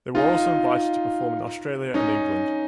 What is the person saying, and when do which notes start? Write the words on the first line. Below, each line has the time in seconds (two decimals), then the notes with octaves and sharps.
They were also invited to perform in Australia and England.
0.15 D#4 F4
1.94 C#4 D#4